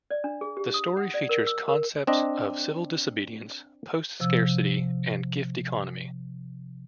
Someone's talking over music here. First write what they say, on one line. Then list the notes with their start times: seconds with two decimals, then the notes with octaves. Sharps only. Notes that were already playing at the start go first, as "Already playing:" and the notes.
The story features concepts of civil disobedience, post scarcity and gift economy.
0.10 D5
0.24 D4
0.41 G#4
0.57 G4
0.74 D#6
0.97 F#5
1.14 D5
1.29 A#4
1.47 E6
1.68 A#4
2.07 C4 D4 D#5
4.20 C3 F3 E6